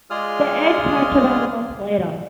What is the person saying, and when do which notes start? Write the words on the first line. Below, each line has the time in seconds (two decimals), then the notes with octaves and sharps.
The eggs hatch about a month later.
0.10 G#3 F4 G#4 D5 D#6 F6